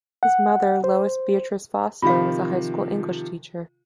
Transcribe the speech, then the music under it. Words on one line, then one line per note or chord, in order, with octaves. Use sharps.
His mother, Lois Beatrice Fossler, was a high school English teacher.
F#5
C5
C3 D#3 F3 F4 F5